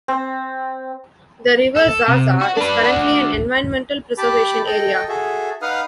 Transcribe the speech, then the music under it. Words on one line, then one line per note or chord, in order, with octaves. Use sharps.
The river Zaza is currently an environmental preservation area.
C4
A4
C3
F#4
D4 B4
D4 F#4
G4 A5 B5 D6
A4 D#5 G5
F#4 G#4 A4 E5
D#4 B4 F5 F#5 D#6 F6